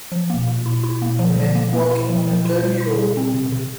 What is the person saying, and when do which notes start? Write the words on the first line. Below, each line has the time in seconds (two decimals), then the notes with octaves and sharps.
A man walking on a dirt road.
0.12 F3
0.30 A#3
0.48 A#2
0.66 E4
0.83 E4
1.02 A#3
1.19 F3
1.37 F3
1.55 A#3
1.73 A#3
1.91 E4
2.09 F3
2.27 F3
2.45 E4
2.63 G3
2.80 E4
2.99 G3
3.17 C4
3.34 C3
3.52 C3